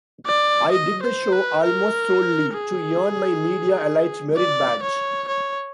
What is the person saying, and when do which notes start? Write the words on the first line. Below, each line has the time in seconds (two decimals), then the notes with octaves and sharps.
I did the show almost solely to earn my media-elite merit badge.
0.26 D5
0.72 D#5
1.03 C5
1.32 B4
1.64 A#4
2.54 G#4
4.36 D5
4.83 C#5
5.28 C#5